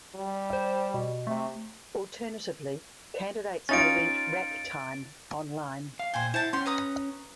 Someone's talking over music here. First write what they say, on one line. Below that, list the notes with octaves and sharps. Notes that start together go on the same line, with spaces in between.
Alternatively, candidates may rent "rack time" online.
G3
C5
B2
C3 A3
C#4 D#4 F4 A6 D7
F5
A#2 C5 G5 G#5
E4 C5 F#5 A5
C#4 F#5 G5 C6
B4 A#5 D#6